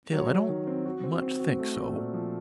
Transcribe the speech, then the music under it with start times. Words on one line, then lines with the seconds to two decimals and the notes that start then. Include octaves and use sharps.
Still, I don't much think so.
0.13 F#3
0.30 F#3
0.49 D#3
0.67 C4
0.85 F#4
1.04 C4
1.22 C4
1.40 F#4
1.59 A3
1.77 A#2
1.95 A#2
2.13 F3